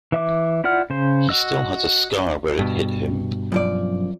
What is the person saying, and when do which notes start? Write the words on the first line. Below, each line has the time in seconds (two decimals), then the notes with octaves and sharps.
He still has a scar where it hit him.
0.12 E3 E5 D6
0.64 E4 F4 D5 F#5 F6
0.90 C#3 C5
1.29 F#4 D#5 E6
2.59 G2 B2
3.52 F#2 F3 D5